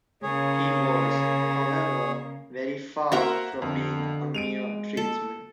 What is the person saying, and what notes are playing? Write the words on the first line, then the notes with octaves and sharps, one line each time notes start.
He was, however, very far from being a mere tradesman.
C#3 A#3 G#4 C#5
A#3 F#4 A#4 C5 E5 A#5
F2 D3
G#3 D7 D#7 F7
A4